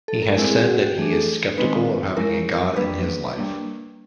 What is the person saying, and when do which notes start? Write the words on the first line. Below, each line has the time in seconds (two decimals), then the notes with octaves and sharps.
He has said that he is 'sceptical' of having a god in his life.
0.08 A4
0.22 A#4
0.37 G#3 C4 E4 G#4
0.52 G#4
0.67 F#4
0.82 G4
0.97 E3 A3 D4 G#4
1.13 A4
1.58 D#3 G#3 C4 D#4 B4
2.17 F3 G#3 C#4 E4 A#4
2.76 G3 A#3 D4 B4
3.37 G3 A#3 D4